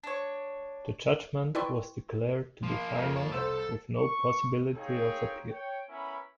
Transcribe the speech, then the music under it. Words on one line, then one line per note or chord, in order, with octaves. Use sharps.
The judgement was declared to be final with no possibility of appeal.
D4 C#5
E4 B4 D5 G5 C6 C#6
F3 A#3
F2
C#5 A5
C2 A4 C5
C#6
C4 D#4 G#4 C#5 F5 G5
C#5 G5
B3 C#4 E4 A#4 G#5 B5